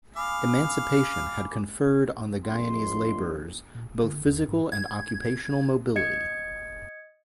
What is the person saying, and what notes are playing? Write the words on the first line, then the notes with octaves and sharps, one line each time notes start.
Emancipation had conferred on the Guianese laborers both physical and occupational mobility.
F5 G#5 B5 D6 D#6
A#1 F2 C6
A#2
D#1
D3
D#2
G#2
G#6
D#5 G#6 C#7